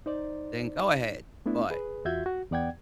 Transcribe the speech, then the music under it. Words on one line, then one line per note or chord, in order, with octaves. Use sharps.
then go ahead, but
D#4 C5 D5
A3 B3 D4 E4
G#4 B4
E2 F4 F#4 E5 G6 G#6
F#4
E2 B3 D5 F#5 G5 G#6